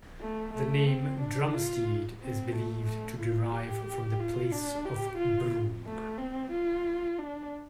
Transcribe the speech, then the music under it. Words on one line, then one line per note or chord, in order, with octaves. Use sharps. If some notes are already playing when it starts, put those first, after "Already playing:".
The name Brumstead is believed to derive from the "place of broom".
A3
A3
C4
D4
F4
C4
A3
A3
F4
G4
F4
D4
G4
F4
A3
C4
F4
D4